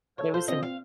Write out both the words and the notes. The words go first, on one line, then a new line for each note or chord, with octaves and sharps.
But it was in
A4 C#5
F4 C5
C4 D#5
C4 F5